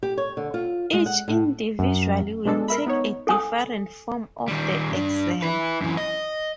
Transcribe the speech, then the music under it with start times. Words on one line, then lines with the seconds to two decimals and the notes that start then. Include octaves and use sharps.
Each individual will take a different form of the exam.
0.03 G4
0.18 C#5
0.37 D3
0.54 F4
0.93 G#3
1.06 F#5
1.28 A2
1.79 F#2
2.45 B2 G#3 D4 A4
2.68 A#4 E5 B5
2.86 B3 D#4 C#5
3.27 A4 G#5 D#6
4.48 D#3 G3
4.91 G2 D4
5.42 E4 B4
5.81 F#2 E3
5.97 D#5